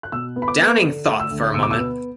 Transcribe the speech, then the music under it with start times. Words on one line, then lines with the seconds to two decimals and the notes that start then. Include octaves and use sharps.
Downing thought for a moment.
0.03 F#6
0.12 B2 E6
0.36 B3
0.42 B5
0.48 D6
0.60 B3
0.84 D3
1.07 A3
1.20 E6
1.31 D2
1.54 B2 E6
1.63 D6
1.71 E6
1.78 B3